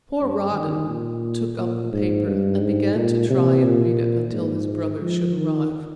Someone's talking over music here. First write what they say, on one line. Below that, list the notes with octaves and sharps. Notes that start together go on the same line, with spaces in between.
Poor Rawdon took up the paper and began to try and read it until his brother should arrive.
G2
D#3
A#2
A#2
G#2
G2
G#2
A#2
C3
A#2
G#2
F3
D#3